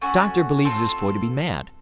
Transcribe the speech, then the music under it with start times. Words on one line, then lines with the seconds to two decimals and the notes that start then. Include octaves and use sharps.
A doctor believes this boy to be mad.
0.02 A3 C#4 F#4 C#6
0.65 C4 F4 A4